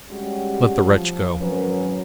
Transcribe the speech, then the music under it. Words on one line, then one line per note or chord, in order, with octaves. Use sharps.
Let the wretch go.
G3 G#3 C#4 F#4 G4
F3
G#1 F#2 F#3 C#4 A#4 B4